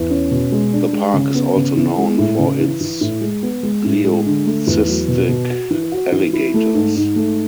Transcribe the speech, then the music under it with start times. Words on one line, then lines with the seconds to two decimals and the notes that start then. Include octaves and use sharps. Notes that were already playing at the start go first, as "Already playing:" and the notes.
The park is also known for its leucistic alligators.
Already playing: E2
0.10 C#4
0.31 B2
0.52 G#3
0.73 D4
0.93 G#3
1.14 C#3
1.35 B3
1.56 C#3
1.77 E3
1.97 G#3
2.18 A2
2.39 C#3
2.60 E3
2.81 E3
3.01 A2
3.21 G#3
3.43 B3
3.63 G#3
3.84 A2
4.05 G#3
4.26 D3
4.46 A3
4.67 E2
4.88 F#3
5.08 B2
5.29 B2
5.50 F#4
5.71 E3
5.92 F#4
6.12 E3
6.33 E4
6.54 A3
6.75 G#2
6.96 G#2
7.16 A3